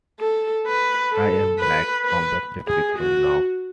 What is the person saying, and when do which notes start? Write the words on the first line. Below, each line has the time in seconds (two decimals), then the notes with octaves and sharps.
I'm like obsessed with him now.
0.20 A4
0.67 B4
1.12 A4
1.59 B4
2.05 B4
2.67 G#4
2.98 F#4